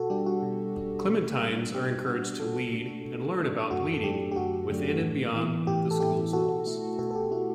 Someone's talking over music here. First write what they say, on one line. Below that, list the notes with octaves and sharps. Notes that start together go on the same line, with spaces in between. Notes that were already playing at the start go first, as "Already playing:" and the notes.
Clementines are encouraged to lead-and learn about leading-within and beyond the School's walls.
Already playing: B2 F#4 A4
G3 D4 G4
F#4
B2
G3 D4
B2
G3 B3 D4
B2 G4
G4
G3 B3 D4 F#4
B2 F#4 A4
A3 D4
B2
A3 D4
F#2 F#4
A4
D3 F#3 A3 D4 G4
G4
F#2 F#4
D3 F#3 A3 D4
A2
E3 B3 E4
A2 G4
A4
E3 B3 E4 G4
B2 F#4 A4
A3 E4
B2 F#4 A4
A4
G4
A3 E4 F#4